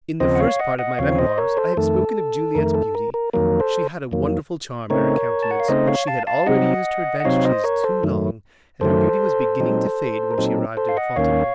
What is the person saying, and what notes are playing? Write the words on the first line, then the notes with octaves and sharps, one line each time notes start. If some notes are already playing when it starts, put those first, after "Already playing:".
In the first part of my Memoirs I have spoken of Juliette's beauty; she had a wonderful charm in her countenance, but she had already used her advantages too long, and her beauty was beginning to fade when she arrived in Fontainebleau.
D#2 C#3 F3 C4 C5 D#5
F#5
C#5 F5
D#5 F#5
D#5 F#5
D#2 C#3 F3 C4 C#5 F5
C5 D#5
A#4 C#5
A4 C5
F2 D#3 A3 A4
F2 D#3 A3 A#4
A4
A#4
A#4
F2 D#3 F#3 A#3 A#4
A4 C5
F2 D#3 F#3 A#3
C#3 A3 C4 D#4 A#4 C#5
A5
F#5
F5
C#3 A3 C4 D#4 C5 D#5
C#5 F5
F5 A5
F5 A5
C3 F#3 C4 D#4 D#5 F#5
F#5
C3 F#3 C4 D#4 C#5 F5
C5 D#5
A#4 C#5
A4 C5
F#2 D#3 F#3 A3
F#2 D#3 F#3 A3 A4 C5
A#2 F#3 C4 D#4
A#4
A#2 F#3 C4 D#4 A4
A4 C5
F5
D#5 F#5
D#2 D#3 A#3 C#4 C#5 F5